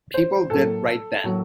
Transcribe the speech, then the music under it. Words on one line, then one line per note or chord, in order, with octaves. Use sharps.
People did right then.
C5
A2 F#3 A#3 A4
A2 F#3 A#3